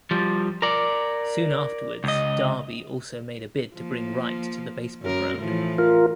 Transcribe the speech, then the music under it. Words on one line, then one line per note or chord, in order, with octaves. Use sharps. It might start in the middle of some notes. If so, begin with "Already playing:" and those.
Soon afterwards Derby also made a bid to bring Wright to the Baseball Ground.
F3 G3
A#4 D5
C#2 D#5
F3 A#3
F#2 A#4
A2 E3 F3
F4 A#4